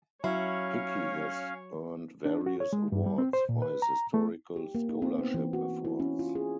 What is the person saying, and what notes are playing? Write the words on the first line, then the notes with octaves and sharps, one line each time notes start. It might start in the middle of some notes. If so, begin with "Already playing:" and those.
Hickey has earned various awards for his historical scholarship efforts.
F#3 C#4 E4 C#5 F5
D4
F#4
C#5
G#3
G2
G3
C4
C5
A#2
B4
A#5
A3
G4
A#3
D#4
C4
B3
E3
F#4
E4
C#4
F4
G#4